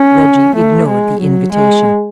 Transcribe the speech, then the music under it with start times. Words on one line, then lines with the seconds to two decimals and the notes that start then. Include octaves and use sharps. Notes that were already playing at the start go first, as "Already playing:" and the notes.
Reggie ignored the invitation.
Already playing: C#4
0.56 A3
0.89 G#3
1.21 F#3
1.53 G#3